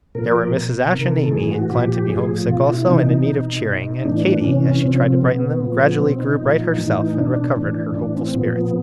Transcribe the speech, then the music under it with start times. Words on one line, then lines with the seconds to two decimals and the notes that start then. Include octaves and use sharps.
But there were Mrs. Ashe and Amy, inclined to be homesick also, and in need of cheering; and Katy, as she tried to brighten them, gradually grew bright herself, and recovered her hopeful spirits.
0.15 A#2 F3 A#4
0.34 A#4
0.54 B2
0.92 C3 D#3 A#4
1.12 A4
1.32 A2 E3 G#4
1.51 F#4
1.71 A#2 F3 G4
2.10 A2 F3 G#4
2.48 B2 F4
2.68 E4
2.83 E4
2.87 C3 E3 D#4
3.27 B2
3.65 B2
4.05 A2 E3 D4
4.43 C3 E3 C#4
4.83 C3 F3 C4
4.95 C#4
5.02 C4
5.21 B2 B3
5.61 A#2 F3
5.99 B2 C4
6.19 D#4
6.39 A#2 F3
6.78 A2 E3
7.17 B2 D4
7.56 A2 E3
7.95 A2 E3 D4
8.15 C4
8.33 A#2 F3 B3